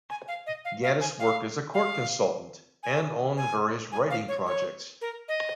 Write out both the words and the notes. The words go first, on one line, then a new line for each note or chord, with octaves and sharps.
Gaddis worked as a court consultant and on various writing projects.
G#5
F5
D#5
F5
F5
G#5
F5
F5
G#5
G#5
G#5
F5
C#5
C#5
A#4
D#5